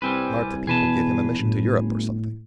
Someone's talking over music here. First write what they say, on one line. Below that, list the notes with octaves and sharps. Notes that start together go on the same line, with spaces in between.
Marta people give him a mission to Europe, or something?
C2 G3 C4 B4 G#5
E2 B2 G#4 B4 A5
G1 A2